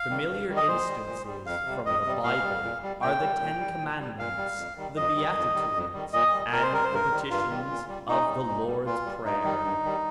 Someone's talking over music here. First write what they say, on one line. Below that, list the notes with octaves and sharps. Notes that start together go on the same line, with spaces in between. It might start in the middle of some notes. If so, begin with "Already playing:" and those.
Familiar instances from the Bible are the Ten Commandments, the Beatitudes, and the petitions of the Lord's Prayer.
Already playing: F5
D#3 G3
G2
D#3 G3
D#5
A#2 C5
G3
A#2
G3
F2 F5
C3 G3
F2 D#5
C3 G3
A#2 F5
G3
A#2
G3
A#2 G5
G3
A#2
G3
A#2
G3
A#2 F5
G3
F2
D#3 G3
F2 D#5
D#3 G3
F2
D#3 G3
F2
D#3 G3
A#2 D#5
G3
A#2 A#4
C5
G3 A#4
C5
G2 A#4
D#3 G3
G2 F4
D#3 G3
A#2
G3
A#2 D#4
G3
A#2
G3
A#2 F4
G3
G2 D#4
D#3 G3
G2
D#3 G3